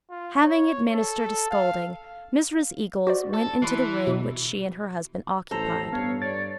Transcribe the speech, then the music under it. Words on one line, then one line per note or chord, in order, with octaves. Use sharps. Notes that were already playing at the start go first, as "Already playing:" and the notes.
Having administered a scolding, Mrs. Eagles went into the room which she and her husband occupied.
F4
C#5
A4
F5
F#4 C5 D5
A4
E3 B5 C6 C7
B2
A1 A4 C5 A#5
G2 B3 C#5 F5
C#5 D5 A6